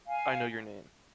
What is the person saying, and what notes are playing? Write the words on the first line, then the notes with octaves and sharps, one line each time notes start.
I know your name.
F5 G#5